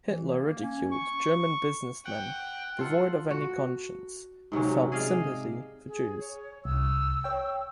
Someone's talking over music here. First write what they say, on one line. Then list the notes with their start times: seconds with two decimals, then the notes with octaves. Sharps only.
Hitler ridiculed "German businessmen devoid of any conscience" who felt sympathy for Jews.
0.07 E3
0.29 A#3
0.63 C#4
0.92 C#6
2.05 F#5 G5
2.79 F4 A4 F#5
3.30 F#4
4.52 G#2 C3 F#3 C#4
4.92 G#4 D5 D#5 F5
5.87 G#4
6.19 C#5
6.65 C2 E6
7.24 C#5 G5